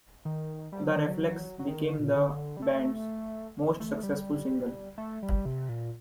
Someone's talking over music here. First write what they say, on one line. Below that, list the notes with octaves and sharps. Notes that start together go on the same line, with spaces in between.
"The Reflex" became the band's most successful single.
D#3
G3
F#3
D#3
F#3
F#3
D#3
D3
A#2
D3
G3
A3
A3
G3
A3
G3
C3
A#2